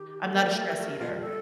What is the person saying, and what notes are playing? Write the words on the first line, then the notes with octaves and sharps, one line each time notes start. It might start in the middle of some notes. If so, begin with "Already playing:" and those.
I'm not a stress eater.
Already playing: D#3 G4
A3
A#3 A#4
A3
G3
A3
G3
F3
G3
A4